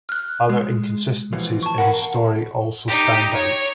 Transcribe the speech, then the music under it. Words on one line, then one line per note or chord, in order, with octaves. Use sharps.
Other inconsistencies in his story also stand out.
F6 F#6
G#3
B2 E3 F3
A5 C#6
A#4 B4 F5 F#5
D#4 G4
C#5 C#7